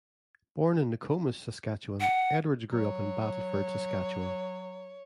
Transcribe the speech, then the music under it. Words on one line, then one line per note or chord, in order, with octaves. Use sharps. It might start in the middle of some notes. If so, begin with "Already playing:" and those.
Born in Nokomis, Saskatchewan, Edwards grew up in Battleford, Saskatchewan.
F#5
F#3 C#5